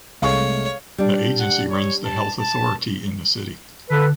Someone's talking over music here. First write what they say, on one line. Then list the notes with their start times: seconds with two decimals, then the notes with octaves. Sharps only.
The Agency runs the health authority in the city.
0.22 C2 G#3 A3 C#5 F5 C#6
0.98 G3 D4
1.40 F#5
1.70 C#5
2.05 A5
2.39 A5
3.90 D3 A4 B4